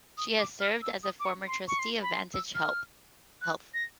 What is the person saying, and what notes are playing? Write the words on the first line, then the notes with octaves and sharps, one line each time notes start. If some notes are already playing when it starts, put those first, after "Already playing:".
She has served as a former Trustee of Vantage Health.
D#6
D6
F6
E6
D#6
D6
C#6
C6
C#6
C6
B5
C6
E6
F6
F#6
A#6